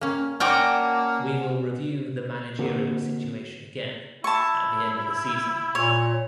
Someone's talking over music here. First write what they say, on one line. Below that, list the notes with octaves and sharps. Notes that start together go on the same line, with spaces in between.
We will review the managerial situation again at the end of the season.
A#3 C#4
A#3 C#4 D4 F#4 G5 D6
D3 A#3 C4 F#4
E4 A5 C#6
A#2 C#5